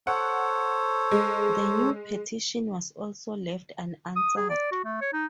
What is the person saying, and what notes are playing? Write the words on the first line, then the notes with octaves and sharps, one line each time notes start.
The new petition was also left unanswered.
A4 C5 C#5 F#5
G#3
D#6
G#4
D5
F#4
A3
C#5
D#4